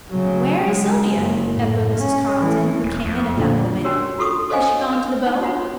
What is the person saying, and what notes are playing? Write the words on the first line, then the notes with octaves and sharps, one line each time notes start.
"Where is Sylvia?" echoed Mrs. Carleton, who came in at that moment. "Has she gone to the boat?"
C#3 F#3
G#3
F#1
A2
C#4
E3 A3
D#1
F2
A#2 D3 F3
C#4 D4 F#4 G4 A#4 C#5
F4 F#4 A4 C#6 D#6
A4 C5 C#5 D#5 F5 G#5
B4
D#4
D4 F4 F#4 C#5